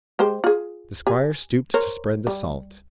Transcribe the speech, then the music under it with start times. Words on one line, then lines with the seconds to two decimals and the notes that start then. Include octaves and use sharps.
The squire stooped to spread the salt.
0.19 G#3 G4 C5
0.44 F4 G#4
1.07 G4 G#5
1.74 A#4 C5 C#5
2.27 G3